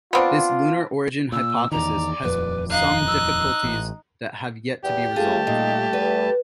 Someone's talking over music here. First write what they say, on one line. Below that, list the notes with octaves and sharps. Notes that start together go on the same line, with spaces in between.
This lunar origin hypothesis has some difficulties that have yet to be resolved.
B3 C4 D4 F4
A#2 E6
E2 D#3 D5 A#5
D#1 F2 B4
D#4 F5 F#6
E6
A1
E2 G4
G3 A3 F4 G#4 A5
A#2 D#4
E2 B4